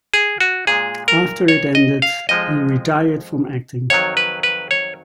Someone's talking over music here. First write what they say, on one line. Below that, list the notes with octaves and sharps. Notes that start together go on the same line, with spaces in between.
After it ended he retired from acting.
G#4
F#4
A#2 G#3 G#4
A#4
C#5
D#5
F5
F2 F3 G#3 D#5
F2 D#3 F#3 C#5
B4
B4
C#5